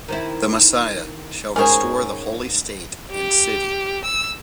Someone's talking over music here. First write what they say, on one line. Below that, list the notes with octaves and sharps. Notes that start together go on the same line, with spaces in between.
The Messiah shall restore the holy state and city.
D#3 C4 E4
G#2 C#4 G#4 A#4 C5
G4
E6